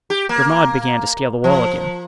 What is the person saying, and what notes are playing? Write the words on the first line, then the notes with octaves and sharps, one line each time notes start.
Grimaud began to scale the wall again.
G4
A#3
F3